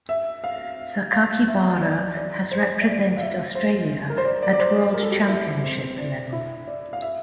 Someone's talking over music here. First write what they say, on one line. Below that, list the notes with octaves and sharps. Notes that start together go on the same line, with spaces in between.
Sakakibara has represented Australia at World Championship level.
E5
F5
F5
E5
D5
D5
C5
E5
D5
F5
E5
C5
A#4
C5
D5
D5
D5
C5
A#4
A4
G4
E4
C4
C4
D4
E4
D5
F5
E5